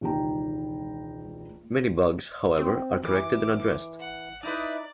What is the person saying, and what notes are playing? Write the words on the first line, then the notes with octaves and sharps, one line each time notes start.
Many bugs, however, are corrected and addressed.
E1 C#2 D#3 G4 G5 A#5
C4
E3 D6
F#5
D#4 E4 B4 D5